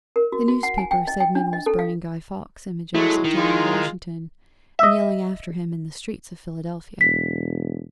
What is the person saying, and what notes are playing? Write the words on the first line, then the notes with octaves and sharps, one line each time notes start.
The newspaper said men was burning Guy Fawkes images of General Washington and yelling after him in the streets of Philadelphia.
A#4
F#4
F#4
F#5
G#5
G5
D#5
G5
D4
D#5
A4
F5
F#3 G#3 A3 E4
D#3
G#3 F4
D#5 E5
E1 B6